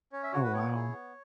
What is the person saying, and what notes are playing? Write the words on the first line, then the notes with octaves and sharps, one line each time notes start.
Oh, wow.
C#4 C#5
E5
F#4 C#5
B4
B3 C#5
E4 G#4
B3